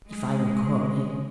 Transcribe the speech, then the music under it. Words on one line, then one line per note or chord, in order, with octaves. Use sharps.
If I recall him!
G#3